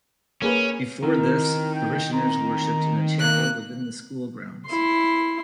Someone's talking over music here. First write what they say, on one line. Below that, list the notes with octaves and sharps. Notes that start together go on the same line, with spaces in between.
Before this, parishioners worshipped in a chapel within the school grounds.
A#3 C#4 G#4 B4
D#3 C4 E4 A#4
G5
C4 A#5
A#3 D4 F#6
E4 C6